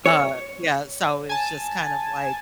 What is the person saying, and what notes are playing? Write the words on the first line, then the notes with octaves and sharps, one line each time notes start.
uh, yeah, so, it's just kind of, like,
C#5
G#5 A5